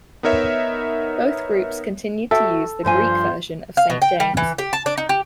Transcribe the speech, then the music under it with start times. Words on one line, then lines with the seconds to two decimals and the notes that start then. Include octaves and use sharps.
Both groups continued to use the Greek version of Saint James.
0.23 B3 D#4 A#4 C#5 E5
2.31 F#4 A4 E5 G5
2.85 G2 F3 C5 G#5
3.77 F5
3.90 B2
4.02 G5
4.20 G3
4.37 E3
4.58 G4
4.73 A5
4.86 D4
4.98 D#4
5.09 G4